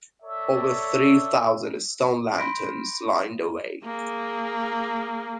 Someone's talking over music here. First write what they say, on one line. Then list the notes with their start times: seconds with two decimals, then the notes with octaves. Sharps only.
Over three thousand stone lanterns line the way.
0.22 A4 C#5 D5 E5
2.38 B5 C6 G6 A#6 B6 D7
3.83 A#3 G#4